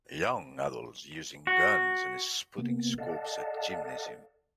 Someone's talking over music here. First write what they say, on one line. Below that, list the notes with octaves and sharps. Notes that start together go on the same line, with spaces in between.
Young adults using guns and spotting scopes at gymnasium.
F#4
C3 A#3 B3
A4 D5 D#5 F5 F#5 A5